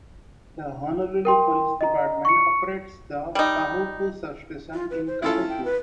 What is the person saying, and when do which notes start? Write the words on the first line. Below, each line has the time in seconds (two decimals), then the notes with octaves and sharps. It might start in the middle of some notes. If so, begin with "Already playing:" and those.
The Honolulu Police Department operates the Kahuku Substation in Kahuku.
1.25 A#4 G5 C6
1.81 D#5 A#5
2.25 C#6 C#7
3.35 G3 D#4
4.74 F4
4.90 B4
5.07 C5
5.22 C#4 E4 F4 A4
5.49 G5
5.65 B4